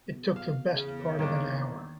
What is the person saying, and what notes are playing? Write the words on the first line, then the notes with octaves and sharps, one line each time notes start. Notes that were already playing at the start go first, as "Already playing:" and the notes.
It took the best part of an hour.
B2
F5
C#3
E2
D#3 A#3 D4